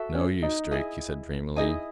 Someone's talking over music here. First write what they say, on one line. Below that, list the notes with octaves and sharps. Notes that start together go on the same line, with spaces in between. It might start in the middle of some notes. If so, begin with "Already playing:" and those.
"No use, Drake," he said dreamily.
Already playing: F#4 A4 E5
C#4
D#4
E4 G#4 D#5 G#5
D#4 E4 G#4 D#5 G#5